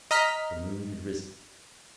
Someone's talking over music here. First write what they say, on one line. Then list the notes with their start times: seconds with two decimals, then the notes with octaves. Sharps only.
The moon had risen.
0.11 D#5 A#5 F6 B6